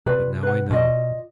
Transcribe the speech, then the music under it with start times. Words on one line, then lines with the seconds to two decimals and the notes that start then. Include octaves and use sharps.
But now I know.
0.06 C3 F4 B4 D5
0.43 B4 F#5
0.71 B2 F4 D5 D#5